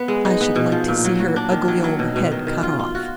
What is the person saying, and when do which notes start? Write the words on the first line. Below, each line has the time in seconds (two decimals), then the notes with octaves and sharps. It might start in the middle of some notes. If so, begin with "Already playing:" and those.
I should like to see her ugly old head cut off.
Already playing: B3
0.08 G#3
0.25 D#4
0.41 B3
0.56 B2
0.72 F3
0.88 A#2
1.04 F#3
1.20 F#4
1.36 D4
1.51 D#3
1.68 F#3
1.84 F#3
1.99 B2
2.16 B2
2.32 D#3
2.47 D#3
2.63 F4
2.79 F4
2.95 F#4